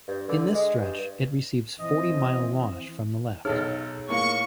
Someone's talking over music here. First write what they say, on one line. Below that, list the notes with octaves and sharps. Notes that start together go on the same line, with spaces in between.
In this stretch, it receives Forty Mile Wash from the left.
G2
D3
G#3
G2
E3 C4 D#5
B1 D#4 G#4 A4 C#5 F6
A2 A#3 C#6